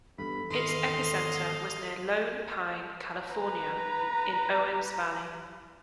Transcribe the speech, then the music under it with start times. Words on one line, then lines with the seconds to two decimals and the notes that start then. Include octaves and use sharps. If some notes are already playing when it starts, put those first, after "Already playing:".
Its epicenter was near Lone Pine, California, in Owens Valley.
0.18 E2 G2 A4 B5
0.50 G#1 E2 D#3 D#5 F5 C6
3.28 B4 A#5